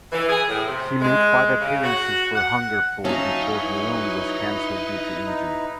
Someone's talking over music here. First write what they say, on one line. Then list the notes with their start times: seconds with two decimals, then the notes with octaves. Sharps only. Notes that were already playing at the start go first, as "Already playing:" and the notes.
He made five appearances for Hungerford before the loan was cancelled due to injury.
0.12 E3
0.29 G#4
0.48 A2
0.67 C3
1.00 G#3
1.60 C#3
1.84 F#4
2.35 F#5
3.05 F#3 C#4 D#4 F#4 E5 F5 A5
3.54 E4 B4
5.26 D#4